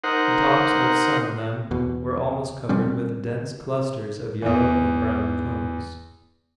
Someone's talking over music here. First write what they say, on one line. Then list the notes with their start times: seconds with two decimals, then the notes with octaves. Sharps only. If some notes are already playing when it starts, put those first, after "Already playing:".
The tops of some of them were almost covered with dense clusters of yellow and brown cones.
0.04 D#4 A#4 C5 F#5
1.71 E2 B2
2.69 B2 G3 C4 C#4
4.42 E2 E3